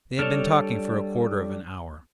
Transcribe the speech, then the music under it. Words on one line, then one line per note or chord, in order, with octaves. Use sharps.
They had been talking for a quarter of an hour.
G3 D4 A4 C#5 F6